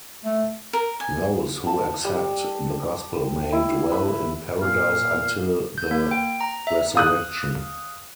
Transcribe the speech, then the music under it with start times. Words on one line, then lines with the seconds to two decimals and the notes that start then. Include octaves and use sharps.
Those who accept the gospel may dwell in paradise until the resurrection.
0.25 A3
0.73 A#4
1.00 G#5
1.67 A5
2.05 G3
3.52 E4
3.92 B4
4.61 A#2 F5
5.78 G6
5.91 A#3
6.11 G5
6.41 A#5
6.67 E5
6.95 F5 D#6 F#6